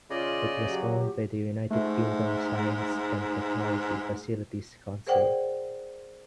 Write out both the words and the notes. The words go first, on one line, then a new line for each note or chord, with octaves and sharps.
It was owned by the United Kingdom Science and Technology Facilities Council.
C#3 F4 D5 D#5
F#3 G4
G#2 A3
G#4 A#4 C5 D5 F#5 G5